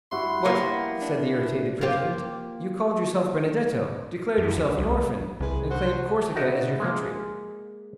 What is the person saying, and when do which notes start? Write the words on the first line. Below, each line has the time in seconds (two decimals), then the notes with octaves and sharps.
"But," said the irritated president, "you called yourself Benedetto, declared yourself an orphan, and claimed Corsica as your country."
0.12 G2 E4 F#4 C6
0.45 A#3 B3 G4 B4 F#5
1.02 D4
1.81 A#3 F4 G4
4.38 F#2
4.57 D2
4.78 C2
5.40 C2 G#3 B4
5.69 F#4 C5
6.35 D#4 F#4 A#4 B4 D5 E5
6.80 G#3 A#3